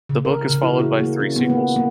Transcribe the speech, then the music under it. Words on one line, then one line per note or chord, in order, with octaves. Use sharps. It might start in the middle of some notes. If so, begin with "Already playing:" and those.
The book is followed by three sequels.
C#3
A#4
C#3
E4
F#4
A#3
C#4
B3
A#3
A#3